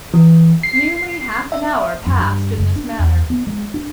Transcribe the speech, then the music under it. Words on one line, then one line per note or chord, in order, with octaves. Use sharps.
Nearly half an hour passed in this manner.
E3
C7
E5
F#2
G2
F#1
D4
E2
B3
G#3
D4